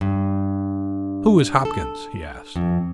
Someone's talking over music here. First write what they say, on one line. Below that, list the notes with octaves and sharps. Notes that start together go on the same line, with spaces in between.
"Who is Hopkins?" he asked.
G2
A4
F2